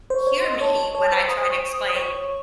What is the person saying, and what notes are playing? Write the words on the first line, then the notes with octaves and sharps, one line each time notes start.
hear me when I try to explain
C5
C#6
C#5
C6
D#5
C#5 A5
C#5 A5
C5
C5 D#6
C#6
D#6
C#5 C#6